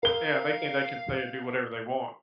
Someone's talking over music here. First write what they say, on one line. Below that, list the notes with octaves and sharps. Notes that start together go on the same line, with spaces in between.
Yeah, they think they can say and do whatever they want.
A#4 F5 G7